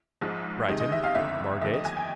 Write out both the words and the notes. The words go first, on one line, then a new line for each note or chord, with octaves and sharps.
Brighton, Margate.
A#1 G#2 F3 G#3
C#2 C3 D#3 G#3 D#5
D#5
E5
F5
F#1 F2 D3 E5
D#2 D3 F3 A3 E5
D#5
G#5
G5